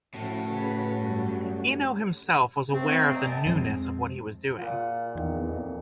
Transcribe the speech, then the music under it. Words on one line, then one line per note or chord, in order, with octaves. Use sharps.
Eno himself was aware of the newness of what he was doing.
A2 F3 A3 C#4 E4 F#4
C#3 B4 C#5
G2 F#3 G3
D#2 D#3 G#3 A3 C4
C5 D5 D#5 G5 G#5 A#5
F#2 B3 G#5 A5
F2 F3 G#3 C4
A#2 F4 F#5
E2 D#3
F2